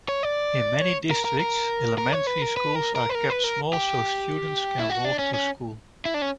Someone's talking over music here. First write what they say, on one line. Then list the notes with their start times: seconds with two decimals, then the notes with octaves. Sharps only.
In many districts, elementary schools are kept small so students can walk to school.
0.09 C#5
0.23 D5
0.81 C#5
1.11 A#4
1.25 A#4
1.39 A#4
1.98 A#4
2.12 C#5
2.27 B4
2.42 A#4
2.57 B4
2.75 A#4
2.95 A#4
3.09 B4
3.15 A#4
3.30 B4
3.44 A#4
3.73 G4
4.79 E4
4.90 F#4
5.05 D4
5.19 C#4
5.34 C#4
6.05 E4
6.14 D4
6.22 C#4